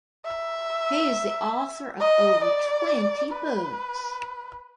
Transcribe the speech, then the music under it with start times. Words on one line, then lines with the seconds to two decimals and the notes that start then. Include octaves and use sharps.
He is the author of over twenty books.
0.25 E5
2.00 D#5
2.44 D5
3.31 B4